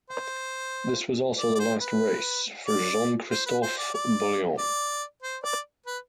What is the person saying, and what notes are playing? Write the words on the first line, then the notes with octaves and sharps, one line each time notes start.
This was also the last race for Jean-Christophe Boullion.
C5
D5
D5
C5
B4
D5
C5
B4
C5
D5
D5
D5
C5
D5
B4